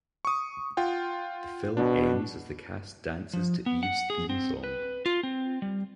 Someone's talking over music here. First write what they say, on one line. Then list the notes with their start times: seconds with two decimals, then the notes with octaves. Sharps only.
The film ends as the cast dances to Eve's theme song.
0.25 C#6 D#6
0.77 F4 F#5 G5
1.77 B2 D4
3.33 F3
3.66 B3
3.83 F#5
4.10 G#4
4.29 C4
4.64 B4
5.06 F4
5.23 C4
5.62 G3